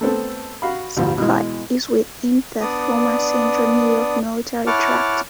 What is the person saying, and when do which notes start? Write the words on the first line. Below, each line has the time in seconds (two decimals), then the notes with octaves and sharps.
Scott is within the former Central New York Military Tract.
0.01 A3 B3 C4 A4
0.62 F#4 F5 B5
0.97 A1 D2 G2 F3 G3
1.18 B2 E3 G#3
2.61 B3 D4 D5 D#6
4.67 E4 C#5 F#5 A5 D6 F6